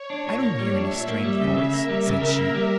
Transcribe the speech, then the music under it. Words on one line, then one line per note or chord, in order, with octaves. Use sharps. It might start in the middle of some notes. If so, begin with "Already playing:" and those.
"I don't hear any strange voice," said she.
Already playing: C#5
D4
A#2
A#3
G3
D4 E5
A#2
A#3 E5
G3
C#3
C#3
A#3 A#4
G3
C#3
C#3
A#3
G3